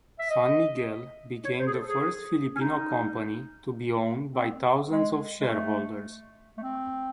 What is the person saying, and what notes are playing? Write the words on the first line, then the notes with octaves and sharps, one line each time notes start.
San Miguel became the first Filipino company to be owned by thousands of shareholders.
E5
D#5
C#5
C5
G#4
A4
G#4
C#4
D#4
C4
G#3
G#3
A3
A3
C4